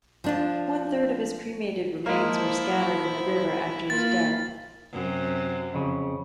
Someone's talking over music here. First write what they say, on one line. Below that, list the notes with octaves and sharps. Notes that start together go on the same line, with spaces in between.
One third of his cremated remains were scattered in the river after his death.
F3 D4 F4
F3 G#3 A#3 E4
A#3 F4 A6
F#2 C3
F2 C#3